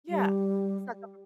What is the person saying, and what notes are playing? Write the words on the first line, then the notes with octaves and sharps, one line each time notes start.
Yeah, it's the government,
G3